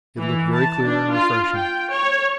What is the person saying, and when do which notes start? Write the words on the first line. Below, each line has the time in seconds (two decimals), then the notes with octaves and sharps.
It looked very clear and refreshing.
0.17 E3
0.53 A5
0.83 D4
1.12 F4
1.55 G5
1.90 C#5